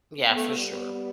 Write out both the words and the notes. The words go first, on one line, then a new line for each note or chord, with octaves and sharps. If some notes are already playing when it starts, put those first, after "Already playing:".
yeah, for sure.
B3
A3
A3
G3